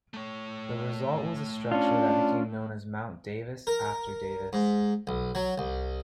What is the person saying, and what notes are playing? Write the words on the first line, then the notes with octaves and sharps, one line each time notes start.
The result was a structure that became known as Mount Davis after Davis.
A3 C#5
C#4 D4 F4
A#4
G#2
B1
F#3
C2